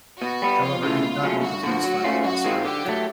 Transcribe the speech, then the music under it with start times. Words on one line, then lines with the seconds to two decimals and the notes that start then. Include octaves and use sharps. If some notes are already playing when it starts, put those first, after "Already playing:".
However, he did not make the team's final roster.
0.22 B2 F#4
0.42 G3 B3
0.62 F2 F4
0.83 C#3 E3 A3
1.02 C#2
1.23 C#3 F#3 A3 C#4
1.43 G2 F#4
1.63 D3 F3
1.84 F#3
2.04 A3 C#4 F4
2.25 F#2 F#4
2.45 D#3 G#3 C4 F4
2.64 D3 G4
2.85 F#3 A3